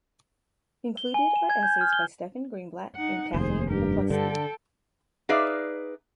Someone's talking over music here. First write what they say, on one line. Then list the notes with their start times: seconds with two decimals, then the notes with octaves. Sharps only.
Included are essays by Stephen Greenblatt and Kathleen McLuskie.
0.97 G7
1.14 G#5
1.36 E7
1.50 G#6
1.63 G6
1.81 F6
1.93 G7
2.96 D#4 F#5
3.34 F1 D#2 G#4 C5
3.69 G2 G4 A#4
4.10 D3 A4 G5
5.29 D#4 G#4 B4 D5 E5 F5